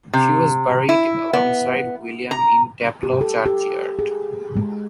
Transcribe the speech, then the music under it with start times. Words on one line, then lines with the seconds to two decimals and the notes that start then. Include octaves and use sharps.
She was buried alongside William in Taplow churchyard.
0.13 C3
0.89 E4
1.33 B3
2.31 A#5
3.03 G4
3.21 A4
3.46 G4
3.99 G#4
4.57 G#3